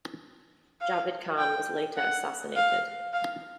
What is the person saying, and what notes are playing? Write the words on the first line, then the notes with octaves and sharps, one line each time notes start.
Javid Khan was later assassinated.
F5
G5
F#5
F5
F5